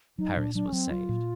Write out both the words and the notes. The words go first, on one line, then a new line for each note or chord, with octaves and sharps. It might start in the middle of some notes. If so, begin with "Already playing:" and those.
Paris was saved.
F#3 D#4
A#2 D4
F#3 D4
C#4
F#3 C4
F#3 F4
A#2